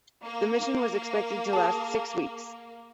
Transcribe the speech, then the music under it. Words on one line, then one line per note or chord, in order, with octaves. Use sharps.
The mission was expected to last six weeks.
A#3
G#4 A5